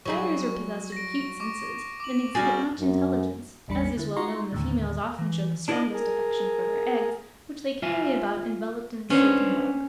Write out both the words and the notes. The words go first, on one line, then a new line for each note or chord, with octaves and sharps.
Spiders are possessed of acute senses, and exhibit much intelligence; as is well known, the females often shew the strongest affection for their eggs, which they carry about enveloped in a silken web.
F#3 G3 G#4 C#6
A#6 D7
C#6 D6
D6 F#7
G3 F#4 G#4 F6 G6 A6
F#2
A1 E2 G3 D4 B5 C#7
D3 E4
D#4 F4 F#4 A#5 C6 C#6
D#2 A2 D3
E3
D4 E4 G#4 A4 D5 D#5
G#4 A#4
F4 E5 G#5
C#4 D4 B4 C5